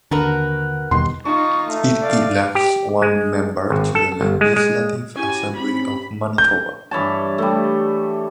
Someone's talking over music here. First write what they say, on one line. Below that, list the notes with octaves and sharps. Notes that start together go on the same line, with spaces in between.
It elects one member to the Legislative Assembly of Manitoba.
D#2 D3 D4 F#4 A#4 B4
E2 B2 D#3 G3 C6
D#4 F4 C#6
A3
D5 F5
G4
G#3
G#1
A4
G1
G#3
G#3
C#4 E4 F#4 G4 G#5
C4 B5
G6
G2 E3 C#5 A5
G3 A3